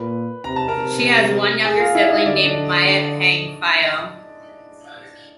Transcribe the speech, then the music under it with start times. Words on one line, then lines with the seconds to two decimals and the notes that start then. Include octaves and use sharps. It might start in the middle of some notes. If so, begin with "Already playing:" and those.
She has one younger sibling named Myat Paing Phyo.
Already playing: A#2 B4
0.44 C3 A#5
0.56 A5
0.68 A#4 A#5
0.76 C3
1.65 G#4 G#5
1.80 F4 F5
1.95 E4 E5
2.10 D#4 D#5
2.25 D3 D5
2.36 D#5
2.46 D4 D5
2.85 D4 D5